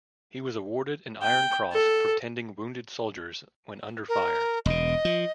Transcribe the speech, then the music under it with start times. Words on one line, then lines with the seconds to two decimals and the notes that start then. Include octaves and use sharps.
He was awarded an Iron Cross for tending wounded soldiers when under fire.
1.22 G5
1.72 A4
4.09 A#4
4.66 E1 B2 D#5
5.05 F3